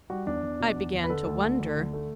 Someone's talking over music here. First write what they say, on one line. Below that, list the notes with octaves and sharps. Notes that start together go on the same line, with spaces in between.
"I began to wonder."
G3 F#4
E2 D4
E2
B2
E2
E2
B4
D3 A4
D2
D3
D2
D3
A3